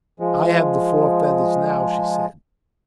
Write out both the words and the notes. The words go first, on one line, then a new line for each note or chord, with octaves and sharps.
"I have the four feathers now," she said.
F3 G#3